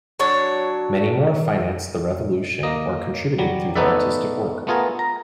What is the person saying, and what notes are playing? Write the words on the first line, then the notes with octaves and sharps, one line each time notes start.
Many more financed the revolution or contributed through their artistic work.
F#3 D4 C#5
A#3 D#5
F#3 G3
A3 B3 D#4 B4 D5 E5
A3 B3 F4 G#4 A#4
A#5